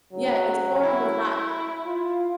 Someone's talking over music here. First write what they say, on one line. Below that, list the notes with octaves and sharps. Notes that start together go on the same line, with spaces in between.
Yeah, exploring was not
C#3 F#3
E4
F4